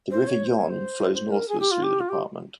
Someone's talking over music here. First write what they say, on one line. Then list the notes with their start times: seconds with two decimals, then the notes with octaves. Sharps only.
The River Yonne flows northwards through the department.
0.11 C5
0.27 C#5
0.45 C5
0.57 C#5
0.69 C5
1.14 C5
1.31 A#4
1.48 G#4
1.60 G4
1.71 F4
1.83 G4
2.00 F4
2.09 G4